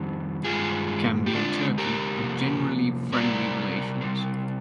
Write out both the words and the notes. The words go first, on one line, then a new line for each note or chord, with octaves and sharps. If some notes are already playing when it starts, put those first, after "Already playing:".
Gambia and Turkey had generally friendly relations.
Already playing: F2 D#3 G3 C4
G2 D#3 G#3 F4 G#4
G4
D3 G#3 C4 D4 F4
G4 A#4
C3 F3 A#3
C3 G3 C4 A#4 D5
C3 G3 C4